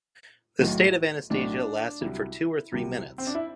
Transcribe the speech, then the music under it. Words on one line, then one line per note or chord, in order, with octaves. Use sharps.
The state of anesthesia lasted for two or three minutes.
B1 A2 F#3
B1 A2 F#3 D4
C2 C3 F#3 E4
C2 C3 F#3
C4
D4
E4